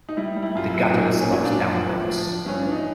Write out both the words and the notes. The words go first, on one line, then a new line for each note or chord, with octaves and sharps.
The gutter sloped downwards.
D#4
G3 E4
G3
E4
F#2 F4
E4
F#2
A#2 D#4
A#2
C#4
A#2
D4
F#3
F3
A2
F3
F3
G2 C#4
D4
E3
D#4